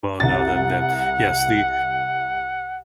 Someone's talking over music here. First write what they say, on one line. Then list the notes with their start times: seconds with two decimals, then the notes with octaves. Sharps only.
Well, no, then then Yes, the
0.20 C2 F#5 A6